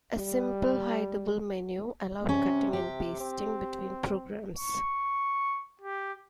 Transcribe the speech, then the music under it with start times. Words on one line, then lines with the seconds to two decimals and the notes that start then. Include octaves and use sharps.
A simple hideable menu allowed cutting and pasting between programs.
0.17 G3
2.29 C3 C#4
2.73 G4
3.21 C4
4.57 C#6
5.81 G4